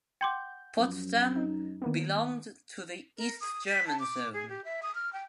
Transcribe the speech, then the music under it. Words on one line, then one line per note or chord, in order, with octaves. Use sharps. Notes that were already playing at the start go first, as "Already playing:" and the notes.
Potsdam belonged to the East German zone.
F#5 G5 C6 D6 G6
F#2 F3
D#4
D#3 A#3 B3
A#4
D#6
B6
A5
D6
G#4
G4
E5
D#6
F6
G5